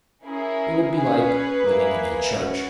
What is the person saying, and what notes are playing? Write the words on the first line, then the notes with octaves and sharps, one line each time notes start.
It would be like living in a church.
C#4 E4 G#4 A#4
C#4 G#4 B4
A#3 E4 G#4
C#4 F#4 B4